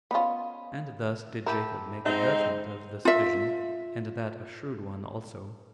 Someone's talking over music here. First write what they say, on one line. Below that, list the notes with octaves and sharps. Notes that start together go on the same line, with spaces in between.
And thus did Jacob make a judgment of this vision, and that a shrewd one also.
B3 C#4 F4 D#5 B5
E4 G4 A4 A#4
G#2 C4 D#4 E5
F4 E5